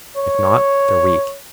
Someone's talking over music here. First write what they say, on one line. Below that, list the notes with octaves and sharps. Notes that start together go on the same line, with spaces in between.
If not, they're weak.
C#5